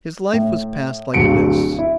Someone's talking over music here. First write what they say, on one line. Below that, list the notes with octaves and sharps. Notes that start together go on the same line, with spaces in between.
His life was passed like this.
A2
D1 G1 G2 B2 C#7 D7
E4